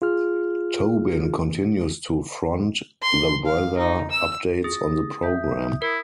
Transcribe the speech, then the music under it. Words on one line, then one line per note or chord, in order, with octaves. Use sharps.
Tobin continues to front the weather updates on the programme.
F4 G#4 F6
C6
F5
D#4
E6
G#4 D#6 A6 A#6
E5 G6 B6
E4 A#4